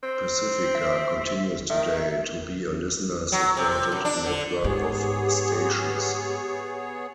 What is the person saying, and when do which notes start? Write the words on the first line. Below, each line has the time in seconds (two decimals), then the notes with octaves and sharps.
Pacifica continues today to be a listener-supported network of stations.
0.03 C4
0.75 E5
1.70 D#3 E5
3.32 F#3
3.57 C3
3.92 F#2
4.05 D4
4.26 D3
4.64 G#2 B3 G4 G#4 C#5